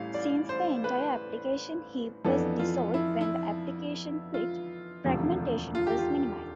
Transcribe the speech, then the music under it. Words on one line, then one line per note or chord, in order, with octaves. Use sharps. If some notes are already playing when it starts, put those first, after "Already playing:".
Since the entire application heap was dissolved when the application quit, fragmentation was minimized.
Already playing: A1 A2 G3 F5
D5
C5
B4
F2 E3 B3 D4 A4
F4
E4
E4
F4
E1 D2 C3 F3
F4
G4
F4